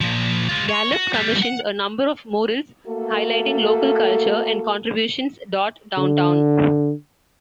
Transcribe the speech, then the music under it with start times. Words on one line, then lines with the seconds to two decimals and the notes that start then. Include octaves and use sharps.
Gallup commissioned a number of murals highlighting local culture and contributions dot downtown.
0.01 A#2 F3
0.49 G#3 F4
0.69 C#5
0.92 F#4
1.14 G3 B3
1.43 F#5
2.87 A3 A#3 F#4 A4
5.98 D3